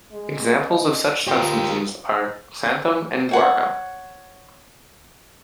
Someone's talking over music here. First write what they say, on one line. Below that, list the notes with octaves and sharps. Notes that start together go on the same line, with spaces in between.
Examples of such substances are xanthan and guar gum.
G#3
D#5
F4 G4 A#4 C5 G5
C5 C#5 F#5